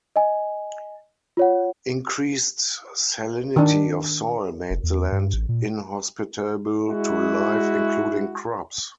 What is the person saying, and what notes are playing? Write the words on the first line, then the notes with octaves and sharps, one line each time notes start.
Increased salinity of soil made the land inhospitable to life, including crops.
D#5 G#5
F4 C#5 F#5
D#3 D4
F1
E2
G2
A1
A#2
G#3 E4 F#4